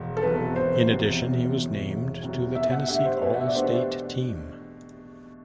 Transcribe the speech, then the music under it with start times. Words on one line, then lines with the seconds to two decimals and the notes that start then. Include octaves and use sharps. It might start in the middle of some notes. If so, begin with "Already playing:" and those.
In addition, he was named to the Tennessee all-state team.
Already playing: E1
0.17 A4
0.22 E2 C3 F#3 B4
0.55 E1 C5
0.89 E2 C3 F#3
1.22 E1
1.55 E2 C3 F#3
1.89 E1
2.22 E2 C3 F#3
2.55 B2 E5
2.67 E5
2.72 F#5
2.88 A3 D4 G4 E5
3.05 C5
3.21 B2 B4
3.34 F#5
3.41 E5
3.48 D5
3.54 A3 D4 G4 C5